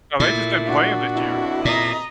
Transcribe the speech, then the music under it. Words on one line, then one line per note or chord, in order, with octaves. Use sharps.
No, they just didn't play him this year.
A#2 A3 E4
D4 F#4
F2 B2 E4
A#2 D#5 A#5